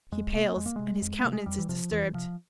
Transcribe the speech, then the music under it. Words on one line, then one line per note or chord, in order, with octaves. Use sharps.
He pales, and his countenance is disturbed.
F2 G#3
C3 A#3
F2 G#3
A#3
C3 G#3
F2
C3 A#3
G#3
F2 G3
E3
C3 F3
F2 E3
C3 F3